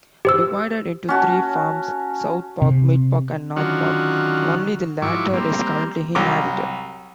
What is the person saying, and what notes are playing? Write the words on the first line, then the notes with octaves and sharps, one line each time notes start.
Divided into three farms, Southpark, Midpark and Northpark, only the latter is currently inhabited.
G4 C5 E6
C#4 F#4 A5
C3
D3 D#3 F#3 C#4 F4 F#4
G#2 F3 F#3 E4 C#6 D6
G3 A#3 C4
C2 F#3 D6